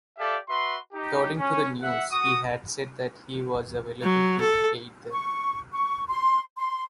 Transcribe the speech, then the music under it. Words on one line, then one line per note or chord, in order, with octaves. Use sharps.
According to the news, he had said that he was available to aid them.
G4 A4 D5 E5 F5
F#4 B4 E5 C6
D#4 G4
C#4
E5 F#5
F#4 D#6
F#3
A4
C#6
C#6
C6
C6